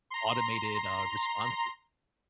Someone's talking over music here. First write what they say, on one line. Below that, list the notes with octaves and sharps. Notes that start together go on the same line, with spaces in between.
automated, uh, responses,"
A#5 C6